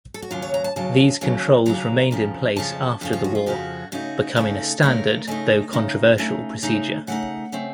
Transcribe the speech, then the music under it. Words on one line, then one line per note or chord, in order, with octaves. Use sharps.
These controls remained in place after the war, becoming a standard, though controversial, procedure.
A4
F#4
D#2 C#3 F#3 F4
C#5
A#5
A5
D#2 C#3 F#3 A5
D#2 C#3 F#3
D#2 C#3 F#3 A#5
F2 C#3 F3
F2 C#3 F3 A5
F2 C#3 F3 C5
F4
F#4
F4
F2 C#3 F3 F#4
C#3 A3 D#4 F#4
C#3 A3 D#4 A4
C#3 A3 D#4 A#4
C#3 A3 D#4 D#5
C#3 A3 D#4
C#3 A3 D#4
C#3 A3 D#4
C#3 A3 D#4 F#5
C#3 A3 C4